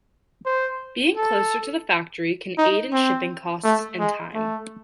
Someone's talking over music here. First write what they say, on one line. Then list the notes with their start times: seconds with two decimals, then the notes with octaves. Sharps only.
Being closer to the factory can aid in shipping costs and time.
0.46 C5
1.17 A4
2.58 D#4
2.93 C4
3.64 A3
3.99 G#3
4.35 A3